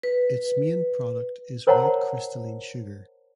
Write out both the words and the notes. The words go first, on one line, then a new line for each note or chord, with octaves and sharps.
Its main product is white crystalline sugar.
B4
A#4 C5 C#5 F#5 A5 A#5